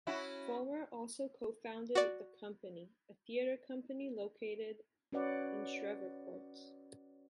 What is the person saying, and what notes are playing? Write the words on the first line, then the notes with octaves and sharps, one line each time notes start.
Folmer also co-founded "The Company", a theater company located in Shreveport.
C#4 E4 F#4
F#4 D5
C#4 F#4 B4 C#5 D5 F#5